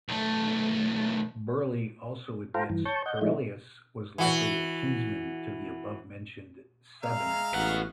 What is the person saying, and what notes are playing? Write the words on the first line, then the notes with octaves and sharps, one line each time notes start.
Birley also admits Caerellius was likely a kinsman to the above-mentioned Sabinus.
B1 A3
F4 A4 C5 F5 G5 A#5
G2 E3
C#5 A5 C#6 G6
D#5 F#5 G6
F3 G#3 A3 D#4 E4
E3 F#4
G#3 E5 F5 A#5
A1 B2 F#5